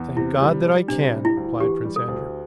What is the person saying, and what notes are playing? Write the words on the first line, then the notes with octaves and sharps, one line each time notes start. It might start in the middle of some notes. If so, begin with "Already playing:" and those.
"Thank God that I can," replied Prince Andrew.
Already playing: E2
C3 E4
G3
G3
C3 D4
G3
E4
D2
E3 G4
G3
A4
D2